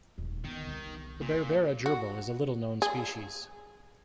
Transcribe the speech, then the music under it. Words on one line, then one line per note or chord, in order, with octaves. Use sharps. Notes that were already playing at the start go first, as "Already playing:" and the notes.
The Berbera gerbil is a little known species.
D#1 G#3
D3 D#3 B3
C2
A#2
F4
F#4
G#4